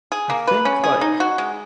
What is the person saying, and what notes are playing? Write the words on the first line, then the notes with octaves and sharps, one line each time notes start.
I think, like,
G#4
A#3
B4
C#4
G#4
D#4
F#4
G#3